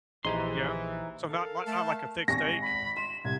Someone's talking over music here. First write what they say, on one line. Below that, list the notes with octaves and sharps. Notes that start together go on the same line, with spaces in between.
Yeah. So not not not like a thick steak?
A#1 E3 D#4 G4 G#4 C5 A#5 C6
A4 A#4 F5
A3 A5
G#1 G#5 C#6 A#6
B5
C6 E7
C2 G#6